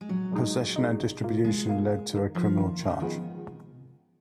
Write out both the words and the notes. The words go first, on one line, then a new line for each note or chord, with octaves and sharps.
Possession and distribution lead to a criminal charge.
G#3
A#1 F#3
A#2 G#3 D#4
A#1
A#2 G#3 D#4
C#2
B2 A#3 F4
C#2 G#3
B2 A#3 F4
G#1
F#2 D#3 A#3
G#1 F3
F#2 D#3 A#3
A#1 D#3
C#3
G#2 D#3 F3 G#3 B3